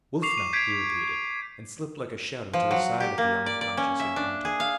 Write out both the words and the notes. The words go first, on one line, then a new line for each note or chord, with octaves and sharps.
"Wolf night!" he repeated, and slipped like a shadow to the side of the unconscious young hunter.
C#6 D6 C7 F7
D#7
G6 G#6 B6 C7 D7
F3
F#3
G4
A#3
D5
D5
C#4
E5
D4
G#4
F5